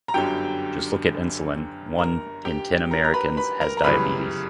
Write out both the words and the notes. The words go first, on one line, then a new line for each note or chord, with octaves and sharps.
Just look at insulin. One in ten Americans has diabetes.
A#5
G1 F#2 D3 F#3 G4 G5
A#4 A#5
G4 G5
A#4 A#5
A#5
B4 B5
B4 B5
A#4 A#5
A#5
G1 F#2 C#3 E3 G3 B4 B5